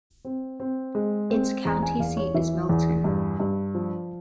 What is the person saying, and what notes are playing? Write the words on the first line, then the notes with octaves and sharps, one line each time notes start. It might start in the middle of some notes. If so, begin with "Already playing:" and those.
Its county seat is Milton.
C4
C4
G#3
C4
E2 A#5
G#5
E2 F5
C#5
E3 E5
E2
G2
G2
F3